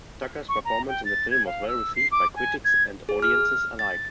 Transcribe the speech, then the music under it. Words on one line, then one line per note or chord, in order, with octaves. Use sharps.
Tucker's performance in the film was well received by critics and audiences alike.
C#6
A#5
G5
A6
G#6
F5
E6
C7
D6
G#5
G#6
G#4
F6
A6